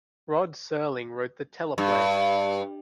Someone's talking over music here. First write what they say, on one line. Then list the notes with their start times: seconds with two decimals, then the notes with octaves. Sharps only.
Rod Serling wrote the teleplay.
1.78 G2